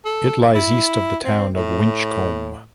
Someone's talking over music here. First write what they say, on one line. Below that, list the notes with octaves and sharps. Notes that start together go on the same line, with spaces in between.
It lies east of the town of Winchcombe.
A4
E4
C4
A2